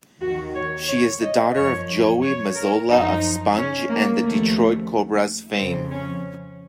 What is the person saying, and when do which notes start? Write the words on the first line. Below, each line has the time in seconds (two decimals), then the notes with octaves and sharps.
She is the daughter of Joey Mazzola of Sponge and The Detroit Cobras fame.
0.21 D#2 D#3 F#4
0.54 C#5
0.88 C#5
1.21 D#5
1.55 F#2 F3 C#5
2.22 C#5
2.55 A#4
2.89 F#2 F3 D#4
3.56 C#4
3.89 A#3
4.23 D#2 C#3 F3 A3
5.57 F2 C#3 F3 C4
5.91 C#4